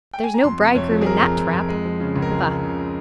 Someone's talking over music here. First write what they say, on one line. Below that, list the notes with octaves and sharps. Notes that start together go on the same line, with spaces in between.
"There's no bridegroom in that trap."
G5
G#5
A#5
F2 C6
C3
F2 C#5
F3
G#4
F3 A#4
F2
F2
F2
G#3
F3
C#3
C#2
A#4
G#3 G#4
C#3
C#3